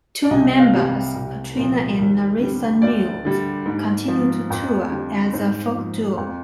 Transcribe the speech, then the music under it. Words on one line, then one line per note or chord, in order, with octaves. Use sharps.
Two members, Katryna and Nerissa Nields, continue to tour as a folk duo.
D5
C2 D#5
F5
C3 G3
C2
A#2 F3
D#2
D3 G3
D2 D5
D3 G3
G#2
F3
F2
D3 G3
G#2 C5
F3
F2